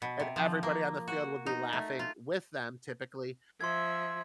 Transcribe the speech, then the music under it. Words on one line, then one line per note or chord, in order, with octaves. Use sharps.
and everybody on the field would be laughing with them typically.
B2
C3
F3
A#3
F#4
D#4
A3
F4
F3 E5 C6 G#6